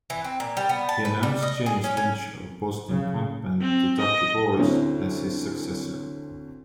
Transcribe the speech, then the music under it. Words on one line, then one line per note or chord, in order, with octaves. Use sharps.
He announced James Lynch of Boston punk band The Ducky Boys as his successor.
E3
C4
A#2
G3
B3
A5
B4
G3
D#5
G#4
C#4
C#4
C#3
C4
D#5
D2 C4 C#4 E4